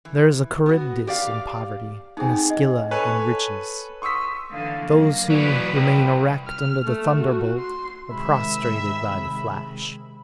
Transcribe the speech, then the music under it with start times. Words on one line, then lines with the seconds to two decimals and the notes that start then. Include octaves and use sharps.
There is a Charybdis in poverty, and a Scylla in riches. Those who remain erect under the thunderbolt are prostrated by the flash.
0.05 E3
0.66 B3 F#4
1.07 G4 D5 F5
2.17 B3 C4 D#4 G#4 G#5
2.50 D#5
2.91 A4 B4 C#5 G#5
4.02 C6 C#6 D#6 E6 B6
4.53 D3 E3 F5
4.86 F#2 A#3
5.30 E3 F#3 B4 D5
5.75 C2 G5
6.47 F6
6.85 A3
7.21 F#4
7.59 C6
8.10 C3 D#3 G#3 E5 B5